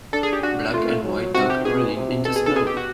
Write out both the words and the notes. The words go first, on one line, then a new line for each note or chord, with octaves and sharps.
Black and white dog running in the snow.
D4 A4
G#4
G4
D4 F#4
A3 F4
F#3
C3 F#4
G4
B2 G#4
C3
B2 A4
G#4
A4
G#4
G4
F#4